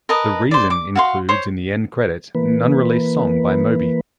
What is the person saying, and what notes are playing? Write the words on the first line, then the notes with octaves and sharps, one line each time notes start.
"The Reason" includes, in the end credits, an unreleased song by Moby.
A#4 B4 D#5 A5
C5 D5
D6
F#4 F5 C6
C5 C#5
E3 A#3 B4